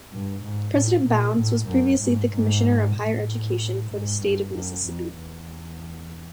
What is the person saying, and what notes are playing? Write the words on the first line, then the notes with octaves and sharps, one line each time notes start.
President Bounds was previously the commissioner of higher education for the state of Mississippi.
G2
G#2
A2
A#2
A2
F#2
G#2
G#2
A2
G#2
G2
F#2
F2
E2